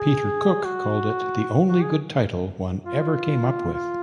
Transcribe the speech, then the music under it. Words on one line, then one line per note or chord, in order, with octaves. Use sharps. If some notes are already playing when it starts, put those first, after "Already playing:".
Peter Cook called it the only good title one ever came up with.
Already playing: G#4
F#4
F#4
G#4
F4
F4